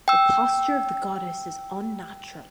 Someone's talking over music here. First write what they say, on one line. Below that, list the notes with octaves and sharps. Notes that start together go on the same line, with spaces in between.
The posture of the goddesses is unnatural.
G5 E6